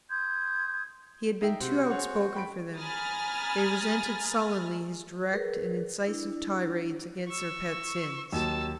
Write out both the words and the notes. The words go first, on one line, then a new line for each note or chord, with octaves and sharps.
He had been too outspoken for them; they resented sullenly his direct and incisive tirades against their pet sins.
C6 D#6 G6 G#6
D#4 E5 G5
C3 F#4 C5 C#6
G#4 C#5 F#5
G5 B5 D7
G#5 A#5 B5 D#6 F6 A6
G#4 A#4 B4
D4 E4
C#6 E6
D#2 F#3 A5 E6